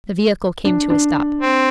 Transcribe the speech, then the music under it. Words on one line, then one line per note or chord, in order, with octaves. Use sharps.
The vehicle came to a stop.
D4
D4
C4